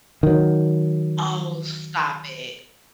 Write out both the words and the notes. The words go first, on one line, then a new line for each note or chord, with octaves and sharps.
Oh, stop it.
D#3 F#3